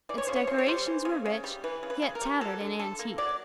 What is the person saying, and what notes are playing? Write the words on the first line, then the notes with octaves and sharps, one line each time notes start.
Its decorations were rich, yet tattered and antique.
E3 D5
C#5
C#3 C5
C#5
C#3 C5
C#5
G3 C5
E3
C#3
C#3
G3
E3 B4
C#3
B4
C#3
A#4
G3
F#3 A4
D3
D3 A4
A#3
F#3 D5